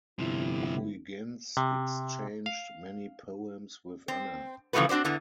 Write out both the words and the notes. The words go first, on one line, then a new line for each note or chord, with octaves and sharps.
Huygens exchanged many poems with Anna.
G1 C3 F3 E4
C3
F5
C4
C#3 E3 F3 A3 F#4 B4
C4 D4 F#4 C5 D5
E2 D3 E3